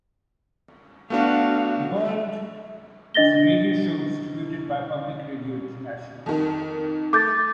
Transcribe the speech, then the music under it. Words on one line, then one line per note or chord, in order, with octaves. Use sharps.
"The World" is a radio show distributed by Public Radio International.
A3 B3 D4 F#4 F5
D4 D#5 A6 A#6 G7
F2 D#3
A3 D6 G6 A6